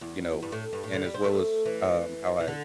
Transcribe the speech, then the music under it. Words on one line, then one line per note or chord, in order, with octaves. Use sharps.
You know, and as well as, um, how I
E2
G2
A2
G2
A2
D3
G3
C4
A3
E3
E3
D3